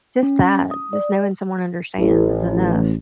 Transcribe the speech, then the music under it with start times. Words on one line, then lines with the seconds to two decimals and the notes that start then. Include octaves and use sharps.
just that, just knowing someone understands is enough.
0.23 C#4
0.71 D#6
0.93 D5
1.98 A1